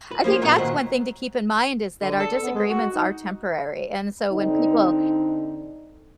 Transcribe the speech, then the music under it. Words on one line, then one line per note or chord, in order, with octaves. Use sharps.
I think that's one thing to keep in mind is that our disagreements are temporary, and so, when people,
B4
F3 A#3 C#4 F4
A#2 F#3 B3
A#2 D#3 C5 F#5
D3
A4
B3
G#3
F#4
D#4
D3 C4 D#4